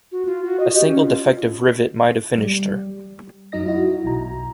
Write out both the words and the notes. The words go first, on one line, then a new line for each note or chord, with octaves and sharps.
A single defective rivet might have finished her.
F#4
F4
F#4
D#5
G4
C#4
F4
G3
F#2 F#3 D#4 D#5 A#6
E4 F#4
B1 B2 A#5